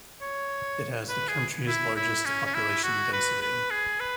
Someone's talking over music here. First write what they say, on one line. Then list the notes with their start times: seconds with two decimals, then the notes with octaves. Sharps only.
It has the country's largest population density.
0.21 C#5
1.09 B4
1.28 G#4
1.67 E4
1.96 E4
2.25 C#4
2.46 C#4
2.54 E4
2.83 F#4
3.13 B4
3.41 B4
3.70 G#4
4.00 B4